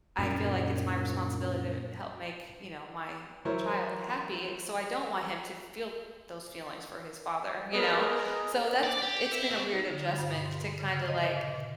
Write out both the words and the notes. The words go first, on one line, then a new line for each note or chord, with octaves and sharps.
I feel like it's my responsibility to help make, you know, my child happy. So, I don't want him to feel those feelings for his father. You know? So that's It's been a weird adjustment to kinda, like,
F#2 A#2
E3 F#3 A#4 C5 C#5 E5
B3 G#4 A#4 D#5
D5
G4
E4
B2
D#4
D3
F4
G2
B2
C6
C6
C#3
F6
D#5
A#2